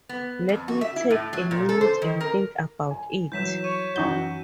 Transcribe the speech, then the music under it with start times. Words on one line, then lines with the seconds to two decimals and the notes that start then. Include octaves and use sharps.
Let me take a minute and think about it.
0.09 B3
0.49 F2
0.68 F#4
0.81 E5
0.96 E4
1.10 A2
1.33 F#3
1.51 A#2
1.69 A4
1.81 C5
2.02 D#3
2.20 A#4
2.91 G#5
3.32 E3 F#3 G6 B6 E7
3.64 C#5 D#7
3.96 F#2 E3 D#4 F#4 G6